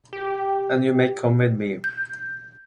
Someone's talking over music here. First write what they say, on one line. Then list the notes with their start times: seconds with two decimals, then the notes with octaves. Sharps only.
And you may come with me.
0.13 G4
1.84 G6